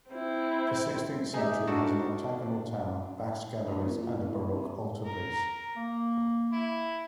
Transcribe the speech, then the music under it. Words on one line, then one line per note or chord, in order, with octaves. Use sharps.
The sixteenth century has an octagonal tower, Basque galleries and a Baroque altarpiece.
C4 E4
D#4 G4 G#4 E5
D4 F#4 A4 A#4
D2
E2
A#2
E3
D#2
C3
A#4
A#5
A#3
E4